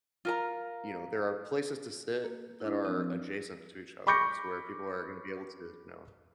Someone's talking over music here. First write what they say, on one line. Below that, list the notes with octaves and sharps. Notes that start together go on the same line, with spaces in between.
you know, there are places to sit that are adjacent to each other. It's where people are gonna be able to, you know,
F4 A#4 A#5
A#3
D4 E4
F3 C4 D4
B5 C#6 D6 G6 A#6 C#7